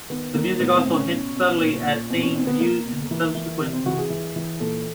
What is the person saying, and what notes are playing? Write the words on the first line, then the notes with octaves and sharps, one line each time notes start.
The music also hints subtly at themes used in the subsequent movements.
D#3 B3
D#3 A#3
A2 B3
C4
A2
C#4
B2
B2
A#2
A#2
B2 C4
C#4
B2 C4
B3
B2 A#3
B2
E3
E3
C3
C4
E3 F#4
G#4
E3
E3
A#2 A4